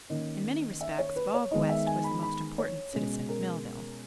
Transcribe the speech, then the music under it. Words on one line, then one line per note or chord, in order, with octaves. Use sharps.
In many respects Bob West was the most important citizen of Millville.
D#3 A#3 C#4 D#5
E5
C#5
B4
C#5
D#3 G#3 B3 D#4 D#5
E5
G#5
B5
B5
C#5
B2 G#3 C#4
A#4